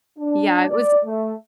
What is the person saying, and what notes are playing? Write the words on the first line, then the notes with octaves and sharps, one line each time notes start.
Yeah, it was
D4
D5
A3